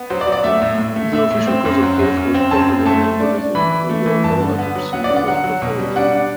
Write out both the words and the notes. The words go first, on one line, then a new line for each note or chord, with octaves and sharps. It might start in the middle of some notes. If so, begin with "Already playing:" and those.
The official cause of death was pulmonary embolism, although no autopsy was performed.
Already playing: B3
F#3 C5
D5
F#3
D5
A3 E5
A2
A2
A3
A2 E5
A2
C4
F#2
F#3
F#2
F#2
C4
F#2 A5
C4
A3 A5
A3
D4
D4
E3 B5
E3
A3
E3
G2 A5
D3
B3
F#3
B3 F#5
D5
D3
F#5
F#3 F#5
F#3
B2
G3
D4 F#5
D4